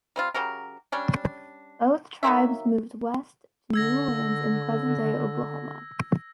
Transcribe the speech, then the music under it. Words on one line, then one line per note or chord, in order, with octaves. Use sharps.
Both tribes moved west to new lands in present-day Oklahoma.
G3 C4 F4
C#3 F#3 G4 A#4
G3 C#4 D4
D#3 F#3 A#3 E5
D3 E6 G#6 A#6